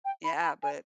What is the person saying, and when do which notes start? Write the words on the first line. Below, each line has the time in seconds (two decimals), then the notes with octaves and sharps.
Yeah, but
0.05 G5
0.24 B5
0.43 B5
0.63 G#5